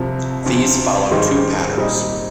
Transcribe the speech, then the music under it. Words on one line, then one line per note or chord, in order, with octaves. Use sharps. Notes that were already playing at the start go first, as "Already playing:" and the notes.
These follow two patterns.
Already playing: C2 C3 F3
D2 C3 F3
G#2 D#3 G3 C4 G4
A#2 G3 C4 D#4